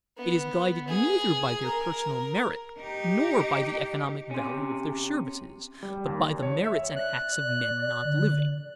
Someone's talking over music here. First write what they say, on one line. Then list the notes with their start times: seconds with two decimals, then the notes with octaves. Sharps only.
It is guided neither by their personal merit nor by the economic value of their services, but by the merits and acts of men not living.
0.17 B3
0.88 G#4
1.64 A#4
2.79 D#4 G4
4.31 C3 C#4
5.83 G3
6.07 D#2
6.43 C#5
6.64 E5
6.96 D5 F#6
8.05 D3